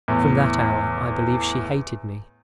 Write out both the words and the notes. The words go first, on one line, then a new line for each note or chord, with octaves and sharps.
From that hour I believe she hated me.
E2 A2